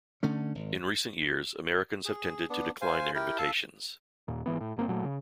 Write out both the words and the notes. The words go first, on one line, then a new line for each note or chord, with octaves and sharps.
In recent years, Americans have tended to decline their invitations.
D3 A3 C#4
G#1
G#4
B3 D4
C5 F5 G#5
E4 G4 A#4 G5
A4 F5 A5
D#2 A#2
G#1 E3 B3
A2
G1 A#3 C4
A#2 F#3 G#3 A3
C#3